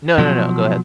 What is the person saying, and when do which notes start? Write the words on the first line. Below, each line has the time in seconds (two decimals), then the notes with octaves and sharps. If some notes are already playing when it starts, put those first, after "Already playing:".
No, no, no, go ahead.
0.18 B2 F3 F#3